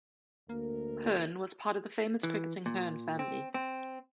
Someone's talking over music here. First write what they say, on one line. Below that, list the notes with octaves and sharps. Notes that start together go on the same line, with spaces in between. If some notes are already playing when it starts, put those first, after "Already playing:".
Hearne was part of the famous cricketing Hearne family.
D2 A#3 A#4
E3
A#2
C4
C4